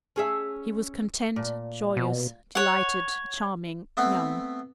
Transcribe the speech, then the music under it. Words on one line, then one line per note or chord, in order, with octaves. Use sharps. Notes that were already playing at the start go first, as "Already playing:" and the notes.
He was content, joyous, delighted, charming, young.
C#4 G#4 E5
A#2
B2
C#5 F#5
A3 B3 C4 F#5 B5